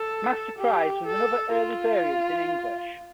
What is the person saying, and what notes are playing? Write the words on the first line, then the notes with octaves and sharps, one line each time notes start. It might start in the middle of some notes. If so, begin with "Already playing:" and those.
"Masterprize" was another early variant in English.
Already playing: A4
G4
A4
F4